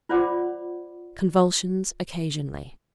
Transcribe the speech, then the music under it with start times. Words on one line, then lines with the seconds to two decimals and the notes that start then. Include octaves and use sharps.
Convulsions occasionally.
0.09 F4 C5 D5 F#5 B5 D6